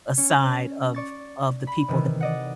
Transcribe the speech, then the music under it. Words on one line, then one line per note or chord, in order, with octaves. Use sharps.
a side of of the people that
C#4
D5 C#6 A6
B5
C3 D#3 E3
D5 D#5 F#5